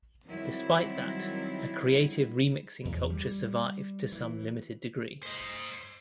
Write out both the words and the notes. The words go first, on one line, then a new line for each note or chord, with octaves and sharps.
Despite that, a creative remixing culture survived to some limited degree.
D#3 F#3 G3 C4 E4
E2
G3
E3
C5 D#5